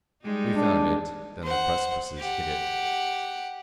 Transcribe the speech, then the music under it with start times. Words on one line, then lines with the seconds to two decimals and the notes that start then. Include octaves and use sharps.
We found it; then the precipices hid it.
0.24 G3 G#3 D#4
0.56 D4
1.43 C5 F#5
2.18 G4 F#5